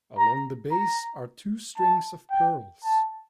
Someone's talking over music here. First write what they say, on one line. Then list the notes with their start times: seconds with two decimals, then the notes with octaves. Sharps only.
Along the base are two strings of pearls.
0.18 A#5
0.72 A#5
1.78 A5
2.31 G5
2.85 A5